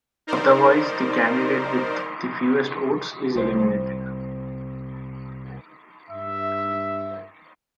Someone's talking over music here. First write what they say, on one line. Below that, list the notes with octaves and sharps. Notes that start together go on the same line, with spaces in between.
Otherwise, the candidate with the fewest votes is eliminated.
D#4 A#4 C5 D5
C2 C5
G2 E5